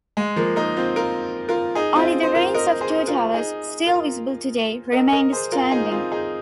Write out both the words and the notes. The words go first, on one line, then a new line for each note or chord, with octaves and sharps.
Only the ruins of two towers, still visible today, remained standing.
G#3
F3 A#3
A#3 D#4
C4 F4
F4 A#4
F4 A#4
D#4 G#4
C4 F4
C5
F4 A#4
A#4 D#5
G#4 C5
F4 A#4
D#4 G#4
F4 A#4
A#4 D#5
A#4 D#5
G#4 C5
F4 A#4
D#4 G#4
C4 F4
D#4 G#4